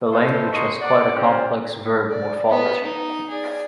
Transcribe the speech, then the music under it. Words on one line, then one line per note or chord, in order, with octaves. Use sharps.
The language has a quite complex verb morphology.
A3 F4 A4 B4 C5
G#3 A#3 D#5 C6 C#6
D5 F#5
C4 C#4 F4 G4 C5
D5
B3
D#4
G#4 D5